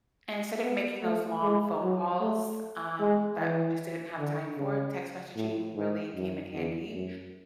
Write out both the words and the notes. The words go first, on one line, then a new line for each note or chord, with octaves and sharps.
and instead of making those long phone calls, um, that we just didn't have time for, text messaging really came in handy.
B3
A3
G#3
F#3
A3
G#3
E3
D3
C#3
A2
G#2
F#2
E2
F#2